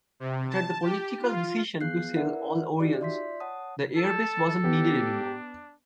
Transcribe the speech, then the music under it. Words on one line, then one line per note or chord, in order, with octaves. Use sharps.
After the political decision to sell all Orions the airbase wasn't needed anymore.
C3
A5
G4
F4
B3 G#4 F5 F#6 G6 C7
E4 A#4 B4 D5 E5 F#5
D#4 F#4 G4 D5
F4 D5 E5 C6 G6 B6
C#5 F#5 A5 D#6
A4 A5
B3 D4 G4